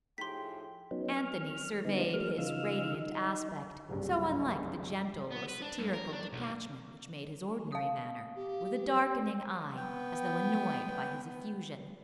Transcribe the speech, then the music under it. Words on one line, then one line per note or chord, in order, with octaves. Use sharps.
Anthony surveyed his radiant aspect--so unlike the gentle or satirical detachment which made his ordinary manner--with a darkening eye, as though annoyed by his effusion.
A2 F3 D#4 G4 G#4 G5 C6 B6
F#3 B3 C#4 D#4
F6
D3 G3 B3 D#4
F#3 G#3 A#3 F6
C#3 D#4 F4 E6 F6
D#4
F#1 C2 G2
B3
B4
D4
G2
A#4
D4
B1
F5 D#6
G4
B3 G5